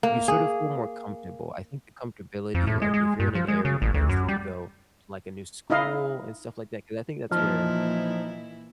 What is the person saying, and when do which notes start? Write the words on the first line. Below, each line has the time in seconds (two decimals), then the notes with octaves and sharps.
you sort of feel more comfortable. I think the comfortability, like if you're in an area where let's say you go to, like, a new school and stuff like that, 'cause I think that's where
0.03 A#3
0.28 G#4
2.55 F2
2.67 A2
2.82 G#3
2.94 G#3
3.20 G2
3.35 F3
3.48 G#3
3.65 C#3
3.82 A1
3.94 D2
4.09 F#2
4.28 G3
5.70 D#4 E4 D#5 F5
7.31 A#2 E3 F3 D#4 E4 F6